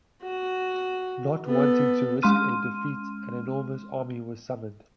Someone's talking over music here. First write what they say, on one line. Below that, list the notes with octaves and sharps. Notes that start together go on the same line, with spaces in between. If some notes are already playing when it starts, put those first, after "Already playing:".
Not wanting to risk a defeat, an enormous army was summoned.
F#4
B3 A4
G#3 C#4 C6 F6 D#7